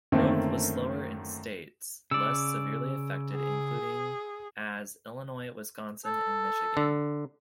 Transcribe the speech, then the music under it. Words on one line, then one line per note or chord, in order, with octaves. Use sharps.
Growth was slower in states less severely affected, including as Illinois, Wisconsin, and Michigan.
F#2 D3 D#3 A3 A#3 C4
C#3 D5 E6
G#4
A4
D3